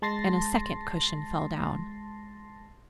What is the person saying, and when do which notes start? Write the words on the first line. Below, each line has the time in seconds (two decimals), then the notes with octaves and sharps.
And a second cushion fell down.
0.02 G#3 A5 C6 A6 A#6 C7